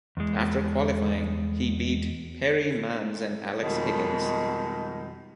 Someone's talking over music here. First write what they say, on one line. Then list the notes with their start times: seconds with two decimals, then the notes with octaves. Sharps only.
After qualifying he beat Perrie Mans and Alex Higgins.
0.17 E2 G#3
3.62 F2 B2 D#3 G3 G#3